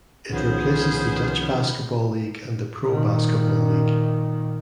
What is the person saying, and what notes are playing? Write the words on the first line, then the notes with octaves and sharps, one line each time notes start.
It replaces the Dutch Basketball League and the Pro Basketball League.
C2 D#3 F3 B3 C#4 G#4 C5
A#2 D#3